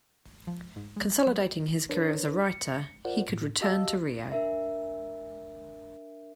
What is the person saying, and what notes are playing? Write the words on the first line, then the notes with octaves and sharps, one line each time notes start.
Consolidating his career as a writer, he could return to Rio.
F3
G#2
G#3
F#3
D4 A#4 B4 C#5
C#7
F4 A#4 C5 D5 F#5
A2
F#4 G4 D#5 F5 A5 E6
D4 A#4 E5